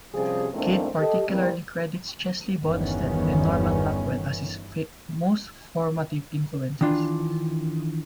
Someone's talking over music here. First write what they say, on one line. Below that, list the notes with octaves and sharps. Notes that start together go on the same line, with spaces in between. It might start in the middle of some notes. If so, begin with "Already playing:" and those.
Kidd particularly credits Chesley Bonestell and Norman Rockwell as his most formative influences.
C3 F3 G3 C#4 G#4
E2 G#2 A3 A#3 C4 D4
G4 A4 D#5
E3 G3 A#3 C4
G1 E2 D#3 E3 B3 C#4
D#3 E3 D4 F4